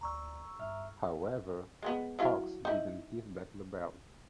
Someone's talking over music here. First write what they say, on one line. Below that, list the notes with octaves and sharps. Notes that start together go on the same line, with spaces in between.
However, Hawx didn't give back the belt.
D2 D5 A#5 C#6 E6
G2 E5 F6
G#3 A#3 B3
F#3 E4 F5
D#4 E4